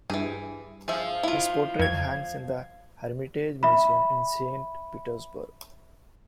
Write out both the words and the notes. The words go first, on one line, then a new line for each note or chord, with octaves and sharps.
His portrait hangs in the Hermitage Museum in Saint Petersburg.
G2 E3 G#4
F3 G#4 E5
E4 F4
F2 G#6
E5 B5